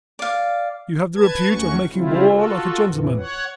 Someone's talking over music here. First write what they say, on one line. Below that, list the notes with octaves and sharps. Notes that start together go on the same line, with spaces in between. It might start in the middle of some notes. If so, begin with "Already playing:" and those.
"You have the repute of making war like a gentleman."
D5 F5
B4 A5 G#6
D#2 A3 C#4 F#4 C#6
C#3 G3 C4 E4 F4
F4 F#4 A4
F2 A#2 E3
C#5 F#5